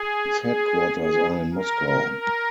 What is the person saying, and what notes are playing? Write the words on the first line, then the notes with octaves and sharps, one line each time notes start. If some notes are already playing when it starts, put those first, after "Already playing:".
Its headquarters are in Moscow.
Already playing: G#4
G#4
G#4
A#4
A#4